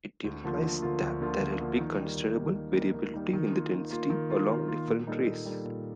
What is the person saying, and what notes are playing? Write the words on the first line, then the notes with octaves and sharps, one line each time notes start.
It implies that there will be considerable variability in the density along different rays.
D2
D3 F3 A#3 F4
D2
D3 F3 A#3 F4
D2
D3 F3 A#3 F4
D2
D3 F3 A#3 F4
D#3
G3 A#3 D#4
D#3
G3 A#3 D#4
D#3
G3 A#3 D#4
D#3
G3 A#3 D#4
D#3
A#3 F4
D#3
A#3 F4
D#3
A#3 F4
D#3
A#3 F4
A#2
G3 A#3 D#4 A4
A#2
G3 A#3 D#4 A4
A#2